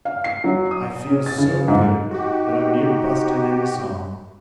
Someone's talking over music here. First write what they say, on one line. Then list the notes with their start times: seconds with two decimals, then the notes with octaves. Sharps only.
"I feel so good that I'm near bustin' into song."
0.05 F5
0.24 C7
0.44 F#3
0.71 D#6
1.07 C#4
1.26 A6
1.38 C#3
1.68 G#2
2.11 D#4 F#4 G4